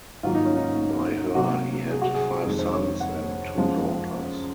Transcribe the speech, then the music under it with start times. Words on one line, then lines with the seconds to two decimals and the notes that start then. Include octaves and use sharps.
By her he had five sons and two daughters.
0.23 G#2 D#3 F#3 A#3 F4
0.34 D#4
0.45 C#4
0.56 D#4
1.35 C3 F#3 A#3 F#4
1.90 G#4
2.02 F#4
2.14 G#4
2.45 F2 D#3 G#3
2.59 C5
2.73 C#5
3.00 F#5
3.56 F#2 F3 G#3